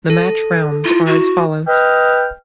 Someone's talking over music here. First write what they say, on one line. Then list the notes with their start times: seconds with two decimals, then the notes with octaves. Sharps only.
The match rounds are as follows.
0.10 A4
0.85 E4 F4
1.06 F#4
1.68 B4 D#5 G5 F6